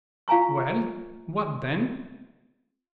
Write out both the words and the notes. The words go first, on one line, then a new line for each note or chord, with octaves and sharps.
"Well, what then?"
F4 F5 G#5 A#5 C#6